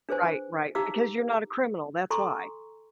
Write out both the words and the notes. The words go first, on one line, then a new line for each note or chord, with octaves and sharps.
Right, right, because you're not a criminal, that's why.
D4 G#4 B4 C5 G#5
D#4 G4 F5 A#5 D6 E6
A4 G#5 A#5 C6 C#6